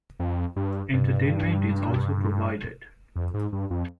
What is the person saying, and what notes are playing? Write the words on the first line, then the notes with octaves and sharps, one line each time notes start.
Entertainment is also provided.
F2
G2
G2
F2
G#2
G2
F2